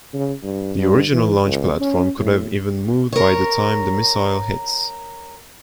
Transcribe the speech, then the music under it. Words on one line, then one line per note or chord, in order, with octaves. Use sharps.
The original launch platform could have even moved by the time the missile hits.
C#3
G2
G2
E3
C#2
C#4
A2
A#4 C#5